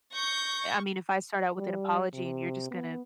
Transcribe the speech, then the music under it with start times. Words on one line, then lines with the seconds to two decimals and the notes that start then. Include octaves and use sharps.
I mean, if I start out with an apology and you're just gonna
0.13 C#6 G6 A#6
1.58 G3
2.14 C3
2.71 B3